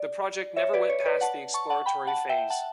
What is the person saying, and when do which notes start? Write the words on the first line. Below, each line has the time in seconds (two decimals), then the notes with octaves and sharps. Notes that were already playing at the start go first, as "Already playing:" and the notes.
The project never went past the exploratory phase.
Already playing: D5
0.56 C#5 E5
0.73 B4 D5
0.89 C#5
1.00 C#5
1.06 B4 D5
1.21 F#5 A5
1.54 A5 C#6
1.70 F#5 A5
1.86 G5 B5
2.07 F#5 A5
2.29 E5 G5
2.50 F#5 A5